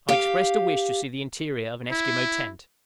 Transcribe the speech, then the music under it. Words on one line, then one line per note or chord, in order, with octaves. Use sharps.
I expressed a wish to see the interior of an Esquimaux tent.
G4 F5
E4